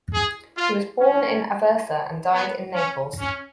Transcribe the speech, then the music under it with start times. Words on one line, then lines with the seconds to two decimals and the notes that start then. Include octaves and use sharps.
He was born in Aversa and died in Naples.
0.13 G#4
0.57 F4
1.00 C#4
2.32 B3
2.75 C#4
3.20 C#4